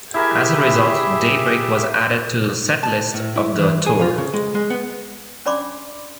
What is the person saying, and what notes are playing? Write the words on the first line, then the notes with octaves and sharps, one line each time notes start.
As a result, "Daybreak" was added to the set-list off the tour.
E4 G4 G#4 A#4 E5 G#5
E4
A5
A2
E4
E3
G#4
F4
C#3
G#3
G#3
B3
C#4 D4 D5 B5 C6 D6